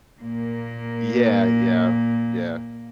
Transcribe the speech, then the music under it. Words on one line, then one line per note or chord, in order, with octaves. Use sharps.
Yeah, yeah, yeah.
A#2 A#3